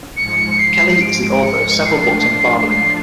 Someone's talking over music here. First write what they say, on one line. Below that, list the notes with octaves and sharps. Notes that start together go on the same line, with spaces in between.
Kelly is the author of several books on fathering.
G#2 F3 G#3 C#7
C7
D7
C#7
A2 F3 A3 D4 F4 C7
C7